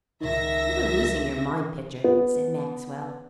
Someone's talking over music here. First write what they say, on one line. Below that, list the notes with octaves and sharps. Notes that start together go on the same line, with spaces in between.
"You are losing your mind, Pitcher," said Maxwell.
C#2 D#3 E5 A#6
B3